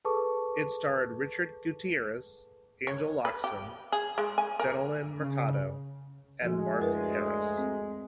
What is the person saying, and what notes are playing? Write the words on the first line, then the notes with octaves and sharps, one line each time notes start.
It starred Richard Gutierrez, Angel Locsin, Jennylyn Mercado and Mark Herras.
G#4 A4 B4 A5 C#6 D6
C#5
B4
G4
G#4
G#3
G#5
A#4
C#3
D2 F3 G#3 F#4
F#2 A#4 B4
C4